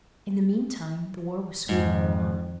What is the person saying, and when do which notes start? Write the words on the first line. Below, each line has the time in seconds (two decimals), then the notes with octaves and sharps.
In the mean time the war with Sweden went on.
1.69 F2 G#2